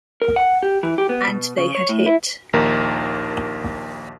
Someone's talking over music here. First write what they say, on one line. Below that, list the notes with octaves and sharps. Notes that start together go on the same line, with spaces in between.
And they had hit.
A#4
F#5
G4
E3
G4
B3
B2
C#3
C#5
A2
E4
A#1 D#2 D#4 A#4